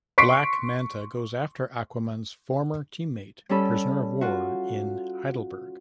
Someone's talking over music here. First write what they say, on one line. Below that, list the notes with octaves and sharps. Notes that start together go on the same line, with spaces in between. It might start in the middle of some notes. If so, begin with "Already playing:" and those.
Black Manta goes after Aquaman's former teammate Prisoner-of-War in Heidelberg.
C6 C#6 B6 C7 D7
G3 C#4 A4 B5
F4 F#4